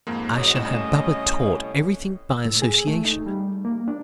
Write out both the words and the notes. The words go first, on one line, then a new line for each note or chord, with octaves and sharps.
I shall have Baba taught everything by association.
F2 G#2 A#3
E2 G#2 F#3 D#5
C2 A2 C#4 E7
E6
A2
G#4
A3
D#4
G3
A#3
D4